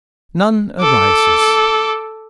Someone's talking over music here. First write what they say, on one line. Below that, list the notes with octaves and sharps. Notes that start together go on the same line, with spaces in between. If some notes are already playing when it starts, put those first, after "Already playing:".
None arises.
A4 D6